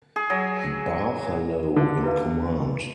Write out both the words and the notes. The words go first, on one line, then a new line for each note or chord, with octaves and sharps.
Barthalow in command.
G#4
F#3
D3
E4 B4 F5